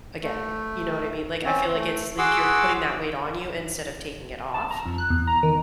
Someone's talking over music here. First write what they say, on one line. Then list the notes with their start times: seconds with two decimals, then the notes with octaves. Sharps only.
again; you know what I mean? Like, I feel like it's like, you're putting that weight on you instead of taking it off,
0.23 A3
1.45 C4 C#4
1.74 A3
2.18 F#4 G#4 F#5 C6 D6 E6
4.54 A5
4.71 A#5
4.86 F2
4.98 F#6
5.10 E2
5.27 A#5
5.43 D#3